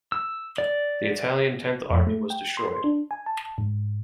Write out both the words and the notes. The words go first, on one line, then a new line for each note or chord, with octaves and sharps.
The Italian Tenth Army was destroyed.
E6
D5
F2
A3
G5
C6
D4
G#5
A5
G#2